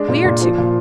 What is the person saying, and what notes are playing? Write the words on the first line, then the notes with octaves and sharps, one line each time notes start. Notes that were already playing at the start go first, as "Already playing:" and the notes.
We are two.
Already playing: G#3 D4
A#2
A#2
F3
A#2